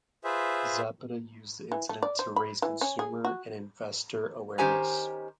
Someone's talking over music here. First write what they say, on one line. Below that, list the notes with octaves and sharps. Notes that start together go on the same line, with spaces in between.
Zapata used the incident to raise consumer and investor awareness.
F4 G#4 B4 C5 E5
E3
A3
D5
C5
B5
E3
C#4
G#4
F#4
D#3 C#4 G4 C5 G#5 A#5